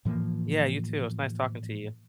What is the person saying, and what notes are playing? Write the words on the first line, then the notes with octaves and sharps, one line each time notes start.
Yeah, you too. It was nice talking to you.
A2 E3 F3 A#3